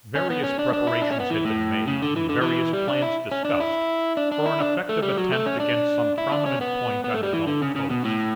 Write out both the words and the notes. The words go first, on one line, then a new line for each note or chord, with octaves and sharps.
Various preparations had been made and various plans discussed for an effective attempt against some prominent point on the Gulf coast.
C#4
B3
C#4
D4
D4
E4
D4
C#4
B3
E3
A2
C#3
D3
E3
D3
E3
G3
D4
E4
C#4
D4
E4
D4
D4
E4
D4
A3
G3
F#3
A3
C#4
D4
E4
D4
C#4
B3
B3
A3
G3
E3
D3
C#3
C#3
B2
A2